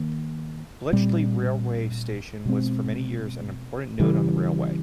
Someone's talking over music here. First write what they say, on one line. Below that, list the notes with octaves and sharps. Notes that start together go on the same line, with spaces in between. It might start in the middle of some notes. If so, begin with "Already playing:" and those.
Bletchley railway station was for many years an important node on the railway.
Already playing: D#3 A#3
A#2 G3 C4
B2 G#3 C4
C#3 E3 G3